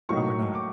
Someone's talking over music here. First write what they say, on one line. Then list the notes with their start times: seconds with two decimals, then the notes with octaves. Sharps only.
Probably not.
0.09 A2 F#3 A#3 D#4 C#6
0.55 D6